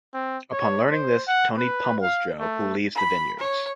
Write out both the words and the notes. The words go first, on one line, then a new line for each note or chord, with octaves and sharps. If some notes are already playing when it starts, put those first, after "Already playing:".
Upon learning this, Tony pummels Joe, who leaves the vineyards.
C4
C#5
C5
F#5
B4
F5
A3
B5
C#5